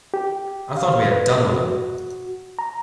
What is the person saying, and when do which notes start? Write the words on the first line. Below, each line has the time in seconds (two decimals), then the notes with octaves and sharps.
I thought we had done with him.
0.14 G4
0.77 F5
1.11 B4
1.53 F#4
2.59 A#5